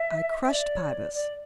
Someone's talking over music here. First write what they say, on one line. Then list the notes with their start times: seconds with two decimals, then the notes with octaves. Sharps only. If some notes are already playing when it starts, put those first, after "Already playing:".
I crushed Pybus.
Already playing: E5
0.43 E5
0.51 D5
0.77 C#5
0.83 D5
1.14 D5